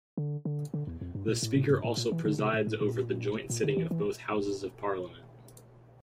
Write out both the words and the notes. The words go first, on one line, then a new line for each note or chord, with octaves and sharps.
The speaker also presides over the joint sitting of both Houses of Parliament.
D3
D3
D3
E2
F2
G2
A#2
A2
A2
G2
A2
A#2
E3
D3
C3
A2
A2
A#2
A#2
D3
E3
E3